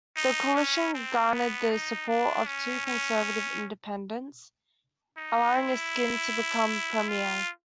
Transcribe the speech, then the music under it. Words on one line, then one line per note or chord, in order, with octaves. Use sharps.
The Coalition garnered the support of two conservative independents, allowing Askin to become Premier.
D#4
C#4
C4
B3
D#4
D4
C#4
C#4
D#4
E4
F4